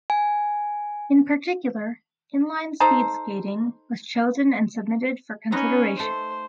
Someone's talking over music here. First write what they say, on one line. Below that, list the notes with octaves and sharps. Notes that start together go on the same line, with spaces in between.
In particular, Inline Speedskating was chosen and submitted for consideration.
G#5
D#4 A4 C5
C#4 D#4 B4 D#5
A3 A4 C5